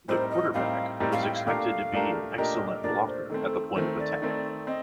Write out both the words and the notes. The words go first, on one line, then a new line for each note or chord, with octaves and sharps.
The quarterback was expected to be an excellent blocker at the point of attack.
A2 G3 C4 D#4 A#4 C5
D#5
A2 G3 C4 D#4 A#4 F5
A2 G3 C4 D#4 A#4
F5
G5
F5
A#2 A3 D4 G4 A#4 F5
A#2 A3 D4 G4 A#4
A#2 A3 D4 G4 A#4 D#5
A#2 A3 D4 G4 A#4 D5
C5
D#3 A3 C4 A4
D#3 A3 C4 C5
D5
D#3 A3 C4
C4 D#5